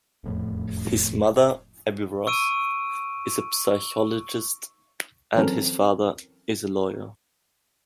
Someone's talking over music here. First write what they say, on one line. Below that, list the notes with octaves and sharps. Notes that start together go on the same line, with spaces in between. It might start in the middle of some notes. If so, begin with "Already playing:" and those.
His mother, Abby Ross, is a psychologist, and his father is a lawyer.
E1 F2 A2
C#6 E6 D7 D#7
E3 F#3 C4 C#4 A4 A#4